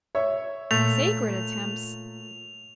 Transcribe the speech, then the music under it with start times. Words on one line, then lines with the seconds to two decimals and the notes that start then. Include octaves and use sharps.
Sacred attempts!
0.15 C#5 E5
0.71 A#2 A3 F7